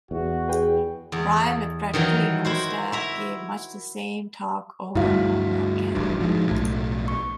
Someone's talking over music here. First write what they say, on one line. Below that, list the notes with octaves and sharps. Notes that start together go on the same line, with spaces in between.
Bryan, with practically no staff, gave much the same talk over and over again.
E2 F#4
G#4 B4 G5
E2
D#3 E3 F#3 D#4
E4 F#4 C5
E4 E5 A#5
D2 G2 E4 F#4 F5
D1 A1 G2
G#2 F3
B1 A2
C#6